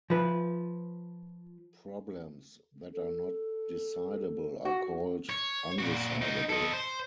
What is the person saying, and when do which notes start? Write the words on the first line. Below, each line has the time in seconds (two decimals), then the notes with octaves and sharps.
Problems that are not decidable are called "undecidable".
0.10 F3 B4
2.94 A4
4.65 F#4
5.30 C#5
5.79 A#2 F#4
6.22 D#4 F#4
6.49 A4 D#5
6.73 C5